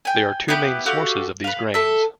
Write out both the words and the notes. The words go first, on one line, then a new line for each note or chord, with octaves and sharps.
There are two main sources of these grains.
G5 G#5
B3 E4 G4 B4
F#4 G4 A4 F5
B4 F5
A4 E5